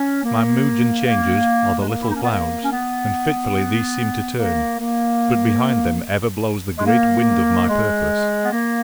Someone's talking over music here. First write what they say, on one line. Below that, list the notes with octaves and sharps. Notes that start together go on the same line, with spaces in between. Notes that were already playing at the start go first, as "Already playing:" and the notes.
My moods and changes are the little clouds, and fitfully these seem to turn; but behind them ever blows the great wind of my purpose.
Already playing: C#4
A#3
A#3
G#3
A#3
E4
D#4
C#4
B3
A#3
C#4
B3
A#3
A#3
G#3
A#3
G#3
B3
A#3